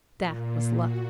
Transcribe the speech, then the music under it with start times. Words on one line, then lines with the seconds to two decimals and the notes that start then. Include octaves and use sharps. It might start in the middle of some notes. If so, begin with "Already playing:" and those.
That was luck.
0.17 A#2
0.78 F#4